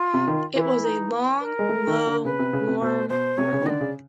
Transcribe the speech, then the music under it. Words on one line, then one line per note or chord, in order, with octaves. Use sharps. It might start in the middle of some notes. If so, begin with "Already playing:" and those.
It was a long, low, warm room.
Already playing: F4
C3
D#3
E3 F4
E4
D#4
B4
A#4
G#3
A3
D#3
D3
C#3 B4
C3
C#3
C3
B2 C5
B2 C5
C3 C#5
C#3
D#3
D3 D5 D#5
C#3